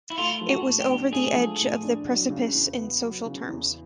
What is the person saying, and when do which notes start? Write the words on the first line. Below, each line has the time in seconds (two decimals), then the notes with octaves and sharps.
It was over the edge of the precipice in social terms.
0.10 E4
0.18 A3 F4
0.41 F3
0.49 F#4
0.65 A2
0.81 G4
0.89 D4
1.13 A3 G#4
1.36 F3
1.60 A2
1.83 D4
2.07 F#3
2.30 C#3
2.54 E2
2.77 B3
3.01 F#3
3.26 C#3
3.48 E2